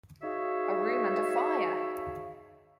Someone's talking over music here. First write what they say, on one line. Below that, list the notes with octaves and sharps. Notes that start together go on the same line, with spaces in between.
A room and a fire!
D#4 F#4 G#4 C#5 E5 F5